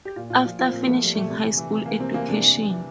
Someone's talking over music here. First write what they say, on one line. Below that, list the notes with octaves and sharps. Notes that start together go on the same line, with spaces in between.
After finishing high school education.
G4
A#2 F4
A#2 F4
F3 F4
F3 F4
C4
A#2 A#3
F3 A3
F3 G3
A#2 A3
C3
E3
E3
C3
E3 A#3
C3 C4
E3 A#3
C3 D4
E3
E3
E3